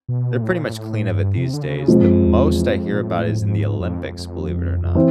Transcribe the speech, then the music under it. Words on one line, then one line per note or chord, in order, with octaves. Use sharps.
they're pretty much clean of it these days, the most I hear about is in the Olympics, believe it or not.
B2
A#2
A2
A#2
A2
G2
C3
D3
C#3
B2 F3 G#3 C4
G2
F#2
E2
E2
F2
A#2
A2
G#2
F2
F2
F2
E3 C4